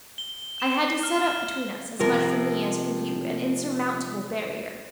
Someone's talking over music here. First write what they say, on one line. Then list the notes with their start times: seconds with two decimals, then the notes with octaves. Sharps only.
I had to set up between us, as much for me as for you, an insurmountable barrier.
0.18 G7
0.60 E7
1.03 F6
1.99 C3 F3 A#4